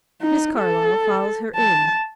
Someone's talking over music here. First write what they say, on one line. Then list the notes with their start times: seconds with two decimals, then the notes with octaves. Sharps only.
Miss Carlyle followed her in.
0.22 D#4
0.59 A4
1.56 A5